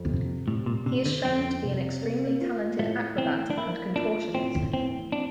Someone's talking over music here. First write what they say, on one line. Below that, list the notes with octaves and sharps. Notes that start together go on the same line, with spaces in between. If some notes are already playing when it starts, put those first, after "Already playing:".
He is shown to be an extremely talented acrobat and contortionist.
Already playing: F2
C3
A2 G3
A#2
C3 D4
D3
F2 C4
C3
A#3
F4
A2 A3
E3 C4
D4
A#3 E4
D4 F4
A2 C4
E3 C4
C4 D4